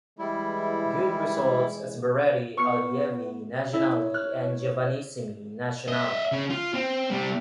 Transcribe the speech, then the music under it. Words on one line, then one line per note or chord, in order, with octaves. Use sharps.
Good results as Berretti, Allievi Nazionali and Giovanissimi Nazionali.
E3 G3 G#3 E4
B3 C#6 F6 C#7
C#4 E4
C#5
F6 F#6
D#5 E5
C#3 C#4
F4
C4
C3 G3